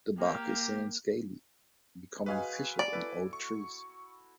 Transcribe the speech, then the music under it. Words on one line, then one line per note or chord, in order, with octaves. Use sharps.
The bark is thin and scaly, becoming fissured in old trees.
A#3 G4
F#3 G#3 F#4 B4 F5 G#5
B3 D5
E4 A4 B4
C#6